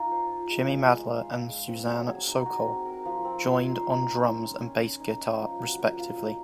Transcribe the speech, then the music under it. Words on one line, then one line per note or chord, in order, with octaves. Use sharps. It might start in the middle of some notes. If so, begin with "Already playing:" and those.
Jimmy Madla and Suzanne Sokol joined on drums and bass guitar respectively.
Already playing: D#4 F4
C5
F4
G#3
G#3
G#3
F5
F5
G#3
C4
F#3
G#4
D#4
F#4
C4
A#4
F3
C4
C5
D#4
A#4
C4
C#4
C#4
C#4
C#4
D#4
D#4
F3
F#4
A#3
F4
D#4